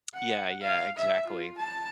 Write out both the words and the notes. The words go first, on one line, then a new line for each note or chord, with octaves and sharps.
Yeah, yeah, exactly.
F#5
F5
E5
F4
A5